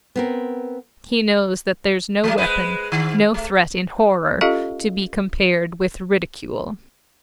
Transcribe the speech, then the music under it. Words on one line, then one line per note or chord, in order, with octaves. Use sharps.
He knows that there's no weapon, no threat, in horror, to be compared with ridicule.
B3 C4 A#4
F3 A3
G#3 B4 C5
D#3
A3
C#4 F4 G4 A4 D#5 F5